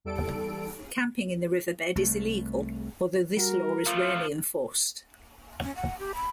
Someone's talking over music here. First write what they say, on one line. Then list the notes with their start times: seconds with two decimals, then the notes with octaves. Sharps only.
Camping in the riverbed is illegal, although this law is rarely enforced.
0.04 E2 G3 A4 D7
1.95 C2 A3
3.37 G3 F#4 A#4
3.87 F3 A3 F4 F6
5.64 C#4
5.76 F#5
5.99 G4
6.14 B5